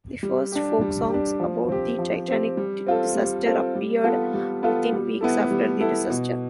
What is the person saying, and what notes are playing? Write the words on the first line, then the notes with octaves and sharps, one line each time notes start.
The first folk songs about the "Titanic" disaster appeared within weeks after the disaster.
G3
D4 G4
G3
D4 G4
F3
C4 G4
F3
C4 G4
G3
C4 F4 A4
G3
C4 F4 A4
G3
B3 F4 A4
G3
B3 F4 A4
G3
B3 E4 A4
G3
B3 E4 A4
B2